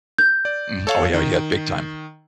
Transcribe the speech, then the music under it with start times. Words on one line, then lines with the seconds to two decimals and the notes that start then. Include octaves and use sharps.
Mh oh, yeah yeah, big time.
0.18 G6
0.45 D5
0.87 A4 C#5 F5
1.14 D#3